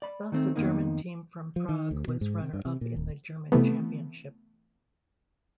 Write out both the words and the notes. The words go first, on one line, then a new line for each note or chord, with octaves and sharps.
Thus, a German team from Prague was runner-up in the German championship.
D5 B5
D#3 A3 C4
F2 C3 D#3 A#3 B3 D#4
F3
D#3
D2
B2
G#2
C3
G2
C3
A#2
D1
C3 E3 A3 B3